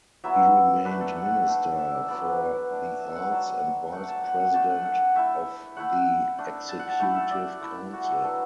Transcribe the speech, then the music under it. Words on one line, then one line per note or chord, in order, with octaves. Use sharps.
He remained Minister for the Arts and Vice-President of the Executive Council.
F#3 B3 E4 E5
A3 D4 B4
A4
F#5
A3 D4
E5
D5
F#3 B3 E4 D5
B4
A3 D4
E5
F#5
F#3 D4 A5
A3 D4 F#5
A5
F#5
F#5
A3 D4 A5
F#5
F#5
A3 E4 E5
A3 E4 F#5
A3 D4
A5
F#5
A5
A3 E4 F#5
E5
D5
A3 E4
F#4
A4
B4
F#3 D4 A4